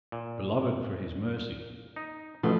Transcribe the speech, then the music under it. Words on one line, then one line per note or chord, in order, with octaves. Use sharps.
Beloved for his mercy!
A#2
D#4
A1 B2 F3 A3